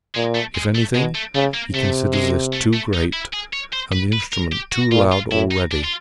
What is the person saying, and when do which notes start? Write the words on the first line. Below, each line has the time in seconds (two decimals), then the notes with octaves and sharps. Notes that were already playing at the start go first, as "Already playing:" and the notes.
If anything, he considers this too great and the instrument too loud already.
0.15 A#2 G#3
0.35 A3
0.55 G#3
0.75 A3
0.95 B2 G#3
1.15 A3
1.35 C#3 A3
1.54 A#3
1.74 C3 A3
2.14 G#3
2.53 A3
2.73 A3
2.93 D#4
3.13 E4
3.33 G#4
3.53 C#5
3.73 C5
3.92 B4
4.13 B4
4.33 A#4
4.52 G4
4.72 F#4
4.92 A#2 F4
5.12 F4
5.31 A2 E4
5.51 D#4
5.71 D4
5.84 F4